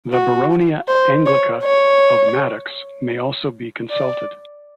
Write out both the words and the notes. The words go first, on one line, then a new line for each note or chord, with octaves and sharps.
The "Baronia Anglica" of Madox may also be consulted.
F#4
C5
C#5
C#5
D5